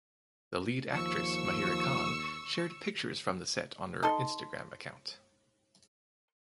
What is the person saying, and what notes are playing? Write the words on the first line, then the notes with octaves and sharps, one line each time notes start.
The lead actress Mahira Khan shared pictures from the set on her Instagram account.
D#2 F3 C#6 E6 C#7
D#4 A4 C6